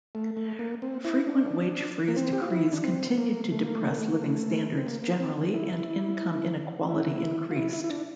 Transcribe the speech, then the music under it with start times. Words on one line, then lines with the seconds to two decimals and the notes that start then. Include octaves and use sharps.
Frequent wage freeze decrees continued to depress living standards generally and income inequality increased.
0.15 A3
0.37 A3
0.59 A#3
0.82 C4
1.05 E4
1.27 D4
2.08 A#3
2.16 C4
2.33 G4
2.42 F4
2.50 E4
2.73 D4
2.84 C4
3.18 A#3
3.52 A3
3.63 A#3
3.75 A3
3.86 A#3
3.98 A3
4.10 A#3
4.22 A3
4.78 C4
4.87 A#3
5.04 A#3
5.20 C4
5.37 D4
5.54 E4
6.89 E4
7.51 F4
7.56 E4
7.73 E4
7.84 E4
7.90 D4